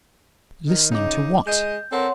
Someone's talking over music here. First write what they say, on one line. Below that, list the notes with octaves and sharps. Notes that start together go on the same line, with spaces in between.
Listening to what?
D#3
C#3 D#4 D#5 D6
G#3 D#5 G6
C4 A4 A#4 C#5 F#5 C6